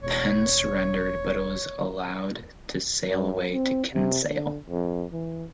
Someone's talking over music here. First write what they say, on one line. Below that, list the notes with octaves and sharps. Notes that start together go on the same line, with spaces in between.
Penn surrendered but was allowed to sail away to Kinsale.
E1 C#5
F#2
C4
C3
D3
F2
E3